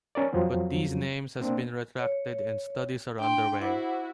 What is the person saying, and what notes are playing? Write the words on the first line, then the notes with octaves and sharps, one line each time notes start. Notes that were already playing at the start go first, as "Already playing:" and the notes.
But these names has been retracted and studies are underway.
C#4 A#4 D5
F2 F3 F#3 C4
A#3 C4 D4
C#5
D4 G5 C6
E4 F#4 C5 F#5 D6